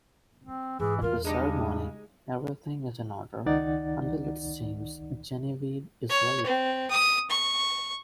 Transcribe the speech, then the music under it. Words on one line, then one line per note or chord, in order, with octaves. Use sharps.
At the ceremony, everything is in order, until it seems Genevieve is late.
C4
G#2 E3 G#4
E2 G3 F4 A#4
C#3 G#3 D4 D#4 G4
C#2 D#3 D#4 D5 F#5 A6
C#5
C4
D#6
C#6